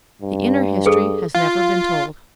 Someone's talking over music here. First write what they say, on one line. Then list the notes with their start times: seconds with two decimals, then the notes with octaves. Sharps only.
The inner history has never been told.
0.22 G2
0.86 G#4 A4
1.35 F4